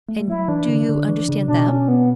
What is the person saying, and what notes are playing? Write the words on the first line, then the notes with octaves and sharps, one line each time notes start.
"And do you understand them?"
A3
G3
F#3 E4
E3 D4
D3
D3
E3
C#3
B2 D4
C#4
B3